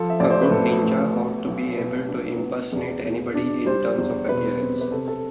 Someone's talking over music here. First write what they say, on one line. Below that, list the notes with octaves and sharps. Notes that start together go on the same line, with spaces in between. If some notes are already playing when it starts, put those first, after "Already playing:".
A good ninja ought to be able to impersonate anybody in terms of appearance.
Already playing: F3 A4
E5
A1 D5
C5
B4
A2 A4
A1
B3
B1
B2 B4
D4
B3
E2
B2
D4
G3 C5
E2
B2 B4
C4
B4
C3 A4
A4